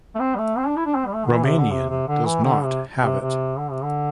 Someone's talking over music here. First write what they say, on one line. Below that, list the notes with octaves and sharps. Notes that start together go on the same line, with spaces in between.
Romanian does "not" have it.
A3
C4
G3
A3
C4
D4
E4
D4
C4
G3
A3
D3
E3
C3
D3
C3
C3
D3
E3
D3
C3
C3
C3
D3
C3
D3